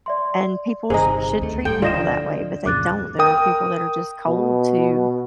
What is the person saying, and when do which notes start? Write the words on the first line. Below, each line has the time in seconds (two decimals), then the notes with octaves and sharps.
And people sh should treat people that way, but they don't, there are people that are just cold to
0.06 D5 E5 C6
0.90 G1 C3 D#3 G#4 C5 D#5 A#5
1.41 D2 D3 A3
1.65 D1 A2 G3 A4 G5
1.82 D3 F3 F4 D5 D#5 A#6 E7
2.66 F2 A#2 C#3 D6 F#6 A6
3.19 A#4 G5 D#6
4.27 B2